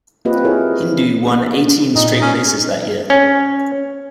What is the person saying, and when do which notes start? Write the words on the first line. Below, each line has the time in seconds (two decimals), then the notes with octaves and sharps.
Hindoo won eighteen straight races that year.
0.25 A#3 C4 F4 G4 B4 D#5
0.45 E4 G#4 A#4 C#5
1.96 A#2 D#4
2.22 C#4
3.10 C#4